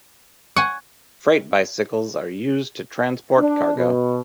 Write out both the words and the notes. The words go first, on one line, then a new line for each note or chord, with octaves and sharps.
Freight bicycles are used to transport cargo.
F#5 G#5 C#6
D4
B2